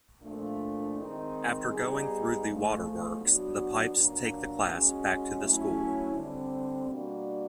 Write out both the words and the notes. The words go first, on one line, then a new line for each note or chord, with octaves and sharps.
After going through the waterworks, the pipes take the class back to the school.
A#2 F3 A3 D4
D#3 G#3 C4 D#4
G3 B3 D#4 G#4
G#2 F3 A3
F#3 B3 D4 F#4
A#2 F#3 A#3 D4
G#3 C#4 F#4
F#3 A3 C#4 E4
D3 G3 C4
B2 G3 A#3 D4 F#4